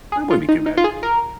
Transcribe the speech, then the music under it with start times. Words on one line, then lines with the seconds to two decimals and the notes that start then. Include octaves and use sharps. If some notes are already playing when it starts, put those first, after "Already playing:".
That wouldn't be too bad.
0.12 G#4
0.31 F4
0.49 D#4
0.66 D#4
0.77 F4
0.84 G#4
1.03 A#4